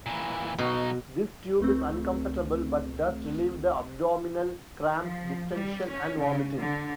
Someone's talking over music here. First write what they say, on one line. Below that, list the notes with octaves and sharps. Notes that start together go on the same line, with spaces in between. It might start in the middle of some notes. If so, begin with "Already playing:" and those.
This tube is uncomfortable but does relieve the abdominal cramps, distention, and vomiting.
A#2 E3
B1 B2 D#4
C#2 A3 C4
F3
G3
C#4
C#3
D3